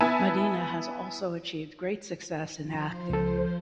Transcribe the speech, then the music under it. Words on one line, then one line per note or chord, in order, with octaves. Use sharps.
Madina has also achieved great success in acting.
B3 E4 B4 E5 G#5 A5
F3 C5
C#2 A4